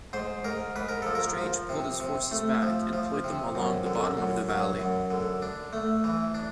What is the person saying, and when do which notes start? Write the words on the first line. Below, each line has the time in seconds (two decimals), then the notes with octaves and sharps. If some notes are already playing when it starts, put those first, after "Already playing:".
Strange pulled his forces back and deployed them along the bottom of the valley.
0.13 G#2 C5
0.44 G#2 A#4
0.76 G#2 B4
0.89 A#4
1.02 F3 A4
1.15 A#4
1.38 F3
1.69 C3
2.00 C3
2.31 A3
2.62 F3
2.93 F3
3.24 C3
3.55 F#2
3.86 D3
4.17 F#2
4.49 F#3
4.80 F#2
5.11 D3
5.42 D4
5.73 A3
6.04 E3
6.35 D4